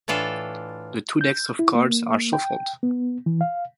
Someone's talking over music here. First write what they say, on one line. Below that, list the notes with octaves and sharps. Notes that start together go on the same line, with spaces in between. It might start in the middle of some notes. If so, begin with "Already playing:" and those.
The two decks of cards are shuffled.
A2 E3 D4 F4 A4
G6
E4
A#3
G5
B3
E3
F5